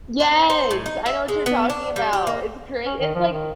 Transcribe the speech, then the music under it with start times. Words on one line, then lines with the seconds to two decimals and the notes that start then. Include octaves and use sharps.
Yes! I know what you're talking about. It's great it's, like
0.20 C5
0.50 C5
0.71 A2
0.86 D#4
1.06 E5
1.28 G#3
1.46 B3
1.70 D4
1.96 G3
2.13 G4
2.27 A#3
2.86 C#4
3.00 D#3
3.15 F3
3.32 D#3